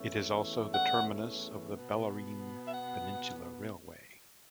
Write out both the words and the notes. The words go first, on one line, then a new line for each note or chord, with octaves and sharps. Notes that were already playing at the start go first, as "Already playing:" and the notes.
It is also the terminus of the Bellarine Peninsula Railway.
Already playing: E2 E3 A3 C#4
F#5
B2 B3
E5
F#5